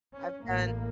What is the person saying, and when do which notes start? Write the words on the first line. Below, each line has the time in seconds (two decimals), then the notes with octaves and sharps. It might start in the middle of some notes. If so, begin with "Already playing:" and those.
I've done
0.14 C#4
0.44 A1 A2 A#3